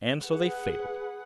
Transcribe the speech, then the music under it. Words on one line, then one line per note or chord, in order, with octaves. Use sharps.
And so they failed.
G#4 B4 F#5